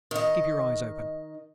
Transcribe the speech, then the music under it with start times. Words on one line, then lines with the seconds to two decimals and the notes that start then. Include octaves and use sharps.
Keep your eyes open.
0.11 D#3 D#5